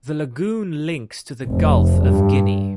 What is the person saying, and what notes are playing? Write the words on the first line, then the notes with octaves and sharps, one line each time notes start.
The lagoon links to the Gulf of Guinea.
F1
G2